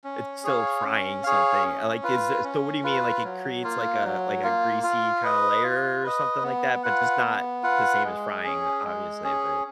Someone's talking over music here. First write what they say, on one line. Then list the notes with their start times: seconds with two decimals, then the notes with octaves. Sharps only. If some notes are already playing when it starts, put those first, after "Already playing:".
It's still frying something. Uh, like, is it so what do you mean? Like, it creates like a like a greasy kinda layer or something like that, but just not the same as frying, obviously, but
0.04 C#4
0.44 G#4 C#5 F5
0.84 C#4
1.24 G#4 C#5 F5
1.64 C#4
2.03 F4 B4
2.43 C#4
2.84 F4 B4
3.23 F#3
3.64 A#3 F4
4.04 F#3
4.44 A#3 F4
4.84 F4
5.23 B4 D#5
5.63 F4
6.03 B4 D#5
6.43 B3
6.83 F4 B4 F#5
7.23 B3
7.63 F4 B4 F#5
8.04 G#3
8.43 C#4 G#4
8.84 G#3
9.24 C#4 G#4